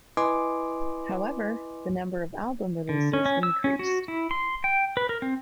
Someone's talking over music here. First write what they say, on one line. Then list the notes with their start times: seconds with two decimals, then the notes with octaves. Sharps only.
However, the number of album releases increased.
0.17 E4 B4 D#5 G#5 C6 D6
2.89 D3
3.13 C#4
3.26 C#4
3.43 E6
3.64 C#4
3.79 F#4
4.08 E4
4.31 C6
4.64 G5
4.97 B4
5.09 A#4
5.22 C4